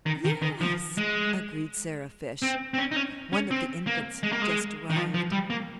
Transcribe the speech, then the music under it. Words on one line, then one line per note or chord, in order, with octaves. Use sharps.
"Yes!" agreed Sarah Fish, one of the Infants just arrived.
D#3
D#3
D#3
F3
G#3
C4
C4
C#4
D#4
C#4
C#4
C4
A#3
G#3
A#3
G#3
D#3
F3
F3
G3
A#3